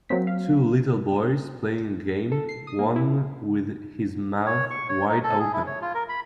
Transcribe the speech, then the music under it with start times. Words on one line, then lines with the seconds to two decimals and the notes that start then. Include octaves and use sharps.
Two little boys playing a game, one with his mouth wide open.
0.09 F#3 A#3 C4 B6
0.27 F5
2.32 A4
2.49 C7
2.67 D#6
2.79 A#3
2.96 E4
4.46 C#5
4.70 C#6
4.89 C#5
5.08 D#4
5.23 A4
5.39 G#4
5.53 E4
5.67 C#5
5.81 F4
5.95 A#4
6.09 B5